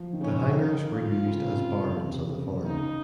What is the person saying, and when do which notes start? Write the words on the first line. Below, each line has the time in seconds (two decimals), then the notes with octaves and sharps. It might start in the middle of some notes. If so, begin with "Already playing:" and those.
The hangars were used as barns on the farm.
Already playing: F3
0.13 D#3
0.20 C#3 C#4
0.56 D#4
0.91 F4
1.26 C#3
1.41 C#3
1.49 C3
1.72 C#3
1.96 C3
2.30 C#3
2.65 C#3 D#4